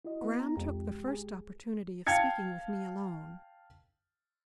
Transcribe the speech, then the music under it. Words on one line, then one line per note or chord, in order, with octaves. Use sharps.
Graham took the first opportunity of speaking with me alone.
E4 F#4 D#5
B3
A#5
C2 F2 G#3 G4
G#4
F5 G5 A5 G#6 C#7